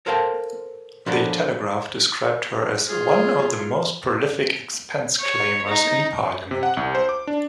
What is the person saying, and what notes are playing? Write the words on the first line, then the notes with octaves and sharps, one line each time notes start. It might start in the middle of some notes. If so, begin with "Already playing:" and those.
"The Telegraph" described her as "one of the most prolific expense claimers in Parliament".
A4 A#4 C5 F5 G5 A5
F3 B3 D4 F#4 A4 A#4
F4 G#4
C#5
D#4
C3
F#5
C2
C5
D6
D4